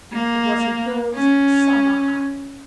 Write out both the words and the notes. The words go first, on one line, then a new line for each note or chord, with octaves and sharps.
It was a girl's summer hat.
A#3
C#4